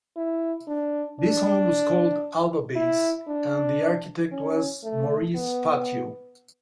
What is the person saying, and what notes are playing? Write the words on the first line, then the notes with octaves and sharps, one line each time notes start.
This home was called "Alva Base" and the architect was Maurice Fatio.
E4
D4
D4
E4
D4
C#4
A3
B3